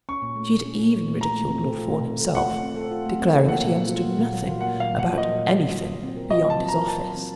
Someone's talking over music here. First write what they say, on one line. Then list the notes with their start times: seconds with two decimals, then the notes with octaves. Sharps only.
She had even ridiculed Lord Fawn himself, declaring that he understood nothing about anything beyond his office.
0.09 C#4 C#6
0.22 A#2
0.36 A3
0.51 A#2
0.65 C#4
0.79 A#2
0.93 A3
1.08 A#2
1.21 F4 A#5
1.35 A3
1.50 C4
1.63 A4
1.78 F4
1.92 A3
2.07 C4
2.20 A4
2.35 F4 F#5
2.48 A3
2.63 C4
2.76 A4
2.91 F4
3.06 A3
3.20 C4
3.33 A4
3.48 A#3 F#5
3.62 A#2
3.76 F#3
3.90 F4
4.04 A#3
4.19 A#2
4.33 F#3
4.47 F4
4.61 A#3 F#5
4.76 A#2 F5
4.89 F#3
4.99 F4 F#5
5.17 A#3 D#5
5.32 A#2
5.46 F#3
5.60 F4
5.75 F4
5.89 F#3
6.03 C4
6.16 A#4
6.30 F4 D#5
6.45 F#3
6.50 A5
6.60 C4
6.68 A#5
6.74 A#4
6.87 F4 A5
7.02 F#3
7.16 C4